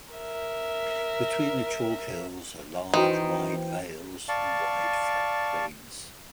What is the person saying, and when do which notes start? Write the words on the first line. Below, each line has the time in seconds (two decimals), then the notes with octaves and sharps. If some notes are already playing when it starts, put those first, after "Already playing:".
Between the chalk hills are large, wide vales and wide flood plains.
0.13 A#4 E5
2.94 D#3 E3 F#4 C5 G5 A#5 D#6
4.29 D5 F5 A5 C#6